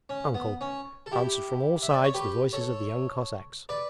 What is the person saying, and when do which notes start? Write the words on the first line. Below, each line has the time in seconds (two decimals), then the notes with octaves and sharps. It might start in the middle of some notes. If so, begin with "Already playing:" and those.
Uncle!' answered from all sides the voices of the young Cossacks.
0.09 C#4
0.35 B3
0.61 C#4
1.06 A4
1.12 E4 G4
1.82 E5
1.93 D5
2.04 C#5
2.14 G4 B4
2.53 A4 C#5
3.69 B4 D5